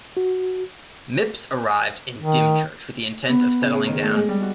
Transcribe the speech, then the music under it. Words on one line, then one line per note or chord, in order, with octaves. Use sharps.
Mipps arrived in Dymchurch with the intent of settling down.
F#4
D#3
B3
F#6
C#3
G#4
D#3
A3
G#3
G3
F#4